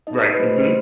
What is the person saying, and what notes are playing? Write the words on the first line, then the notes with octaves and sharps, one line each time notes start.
Right, mhm.
D#4 D#5
G4 D#5
B4
A3 C5
A3 C5